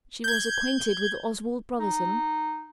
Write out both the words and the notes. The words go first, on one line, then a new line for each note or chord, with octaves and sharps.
"She was acquainted with Oswald Brotherson?"
G6 G#6
D#4